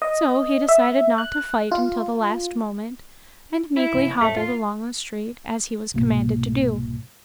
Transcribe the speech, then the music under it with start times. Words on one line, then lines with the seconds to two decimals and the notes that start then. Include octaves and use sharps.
So he decided not to fight until the last moment, and meekly hobbled along the street, as he was commanded to do.
0.02 D#5
0.69 E5
1.18 F#6
1.72 F4
3.77 E4
3.94 F1 C#3
4.21 F2 A2 A3
4.36 F4
5.94 C2 G#2 B2 A#3